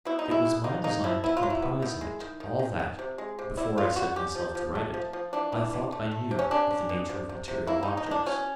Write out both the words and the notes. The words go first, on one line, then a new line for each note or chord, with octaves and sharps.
It was my design to comprise in it all that, before I set myself to write it, I thought I knew of the nature of material objects.
B2 E4
D#4
G#3
E4
B2
A#3 D#4
A#3 D#4
F3 E4
B3 E4
F4
F#3
E4
B3
D#3
G#3
D#3
D#3
D#3
D#3
C3
G#3
C3
G3 E4
E3 F4
G3 F#4
C#4 G4
F3
F3
A3
F3
F3
E3 D4
E3
E3
A3
A3
C3
C#4
C#4 D4
C#4
B2
C3
C3
C3
A#3 E4
A#3 D#4
D#4
E3 D4
B2 C#4